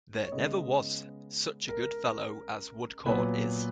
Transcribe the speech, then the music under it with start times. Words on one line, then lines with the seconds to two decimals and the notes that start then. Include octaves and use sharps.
There never was such a good fellow as Woodcourt is.
0.24 C#5
0.32 C#3 G#3 B3 D#5
1.69 A#4
3.06 A#2 F#3 B3 B4